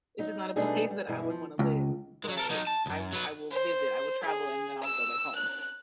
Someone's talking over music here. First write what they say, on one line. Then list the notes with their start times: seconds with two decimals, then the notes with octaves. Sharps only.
it's just not a place that I would want to live, but I wi I will visit, I will travel and then I'll go back home.
0.19 F#3 D#4
0.56 B2 G3 A3 D4 D#4 G#4
0.91 G3
1.08 G2 B2 E3 G#3 E4
1.30 F3
1.59 C#2
2.24 F#3 G#3
2.37 A4 A#4
2.50 F#3 D#4
2.67 A5
2.86 C#2 F#2
3.13 F#3 B4
3.51 C5
4.24 G#4
4.84 E6
5.36 F#6